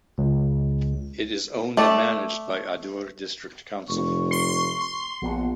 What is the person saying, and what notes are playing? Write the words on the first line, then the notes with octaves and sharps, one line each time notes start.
It is owned and managed by Adur District Council.
C#2
A3 D5
F1 C#6
C6
C6
A#1 B3 F#5